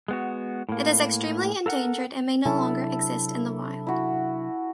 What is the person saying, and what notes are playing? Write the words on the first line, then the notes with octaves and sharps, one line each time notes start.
It is extremely endangered and may no longer exist in the wild.
G#3 B3 F#4
A2 A#3
A4 A#4 F5 F#5
C3 F#3 D4 E4 A4
E4 F#4